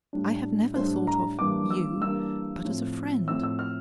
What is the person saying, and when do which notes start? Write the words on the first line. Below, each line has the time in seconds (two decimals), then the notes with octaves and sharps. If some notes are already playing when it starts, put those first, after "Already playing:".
'I have never thought of--you, but as a friend.
0.13 A2 G3 D4
0.76 A2 G3 D4 C5
1.07 A#5
1.39 G2 E3 G3 A#3 D4 D6
1.70 E6
2.01 G2 E3 G3 A#3 D4 E6
2.65 A2 F3 C4
3.27 A2 F3 C4 E6
3.43 E6
3.59 F6